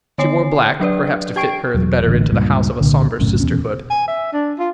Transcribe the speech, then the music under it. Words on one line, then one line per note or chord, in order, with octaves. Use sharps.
She wore black—perhaps to fit her the better into the house of a somber Sisterhood.
D3 B3 C#5 G#5 C7
F#3 D4 B4 D5
G4 G5 C#6 C7 D7
E1 F#3
A1 D3
C#2 G2 A#2
C2 A#2 D3
F#1 B1 A2 C#4
D#1 E2 B2 C#4
G#5
E5
D4
F4